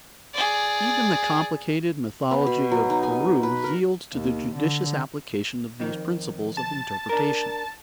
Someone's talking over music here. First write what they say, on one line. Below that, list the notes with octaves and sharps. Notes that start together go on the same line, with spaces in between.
Even the complicated mythology of Peru yields to the judicious application of these principles of interpretation.
G#4 D5
B3
B2
F#3
D#4
G#5
B4
A#4
D#2
D3
F2 D#3
A5
D4 A#4